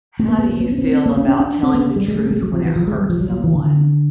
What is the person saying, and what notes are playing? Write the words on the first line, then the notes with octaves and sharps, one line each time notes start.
How do you feel about telling the truth when it hurts someone?
A3
A#3
B3
A#3
B3
C#4
B3
C4
A#3
C#4
C#4
D4
C4
B3
G3
G#3
A3
G#3
F#3
F3
E3
F3
G#3
G3
F3
F#3
F#3
E3
D3